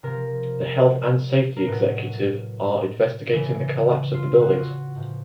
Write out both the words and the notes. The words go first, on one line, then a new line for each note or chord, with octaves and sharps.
The Health and Safety Executive are investigating the collapse of the buildings.
C3 F3 A#4
A#4
A2 F#3 B4
C#3 E3
F4
F#4
F4
F#4
A2 F3